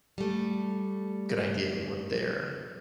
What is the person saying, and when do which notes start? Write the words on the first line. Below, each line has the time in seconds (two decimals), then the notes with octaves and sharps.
good idea on what they're
0.18 G3 A3